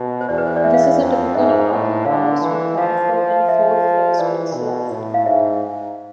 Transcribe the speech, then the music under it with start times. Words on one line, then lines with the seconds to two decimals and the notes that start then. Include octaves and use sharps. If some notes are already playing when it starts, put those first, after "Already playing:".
This is a typical apartment house, with ground floor and four floors plus loft.
Already playing: B2
0.21 C5
0.29 E2 D5
0.38 B4
0.47 C5
0.56 D5
0.64 E5
0.74 F5
0.82 E5
1.01 F2
1.35 G#2 E5
1.72 A2
2.06 D3 F5
2.42 E3
2.77 F3 F5
3.12 F3
3.48 E5
4.19 E3 D5
4.54 B2
4.90 A2
5.14 F5
5.26 G#2 E5